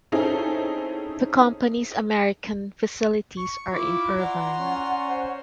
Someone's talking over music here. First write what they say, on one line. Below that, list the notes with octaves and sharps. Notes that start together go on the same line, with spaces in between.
The company's American facilities are in Irvine.
C4 C#4 D#4 E4 G#4 A4
C#6
E4 F4 D6
D5 F#5 A#5 C6
C#4
C5